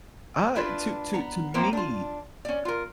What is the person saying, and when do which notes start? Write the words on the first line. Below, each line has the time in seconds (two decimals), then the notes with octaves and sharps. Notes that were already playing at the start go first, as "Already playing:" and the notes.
Uh, i to to to me
0.55 D4 E4 F4 B4
1.14 B3 A#5
1.54 A2 E3 A#3 C4 C5 A#5
1.73 D4 F4
2.45 C#4 D5
2.65 F4 A#4